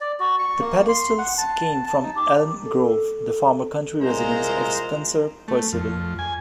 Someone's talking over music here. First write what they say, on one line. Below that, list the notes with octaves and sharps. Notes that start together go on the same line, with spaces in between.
The pedestals came from Elm Grove, the former country residence of Spencer Perceval.
D5
F#4
C#6
A#3
C6
F#5
A5
A5
D#4
G4
A4
C2 G#3 F4 A#4 C5 A#5
A3
F2
G#5